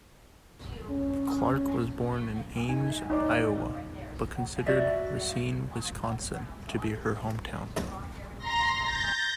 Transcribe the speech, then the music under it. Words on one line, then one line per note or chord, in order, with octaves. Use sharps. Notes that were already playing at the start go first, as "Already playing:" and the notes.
Clark was born in Ames, Iowa, but considered Racine, Wisconsin, to be her hometown.
C#4
D#4 G#5
D#4 C#5 D5
F#4 D5 E5
A#5 C6 A#6
G6 A6 A#6